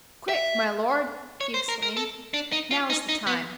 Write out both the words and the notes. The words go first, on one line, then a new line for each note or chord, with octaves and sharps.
"Quick, my lord," he exclaimed, "now is the time."
E5
C#5
C5
A#4
A#4
A4
D4
D#4
F4
D#4
D#4
B3